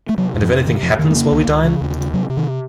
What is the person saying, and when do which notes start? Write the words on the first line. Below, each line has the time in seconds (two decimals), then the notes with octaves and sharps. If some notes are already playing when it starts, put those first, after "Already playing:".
And if anything happens while we dine?
0.09 A3
0.17 C3 F#3
0.34 F2
0.42 F3
0.50 C3
0.66 C3 D#3
0.83 F2 F3
0.99 F2 D#3
1.11 A3
1.15 C#3 A#3
1.32 C#2
1.48 C#2
1.64 C#3
1.81 D#2
1.97 C#3
2.13 C3 F#3
2.29 C3
2.37 D#3